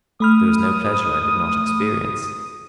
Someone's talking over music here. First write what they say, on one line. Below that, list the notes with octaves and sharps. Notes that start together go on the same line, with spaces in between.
There was no pleasure I did not experience.
A3 B5 D#6 F6